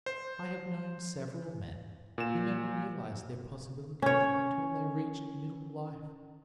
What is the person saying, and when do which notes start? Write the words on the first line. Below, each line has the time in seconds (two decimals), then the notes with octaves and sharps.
I have known several men who never realized their possibilities until they reached middle life.
0.06 C5
2.18 A#2 E7
4.02 C#4 C#5